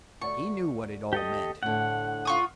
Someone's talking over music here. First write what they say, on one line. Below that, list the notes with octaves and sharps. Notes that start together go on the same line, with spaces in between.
He knew what it all meant.
D2 D5 C#6
G4 A4 D#5
A2 D3 F#5
F4 C#6 D#6